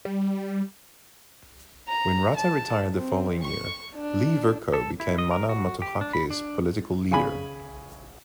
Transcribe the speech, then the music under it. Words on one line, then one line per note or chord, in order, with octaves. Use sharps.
When Rata retired the following year, Lee-Vercoe became Mana Motuhake's political leader.
G3
A#5
A5
C4
C#6
D4
A4
E4
D#5
A#4
F#4
G4
D4
B5
D4
C#3 G#5 B5